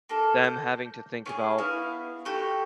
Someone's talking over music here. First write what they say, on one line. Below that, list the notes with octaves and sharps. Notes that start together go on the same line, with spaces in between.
them having to think about
A#3 A4
G6
C#4 E4 G#4
B3 E4 F5
F#4 G4 A4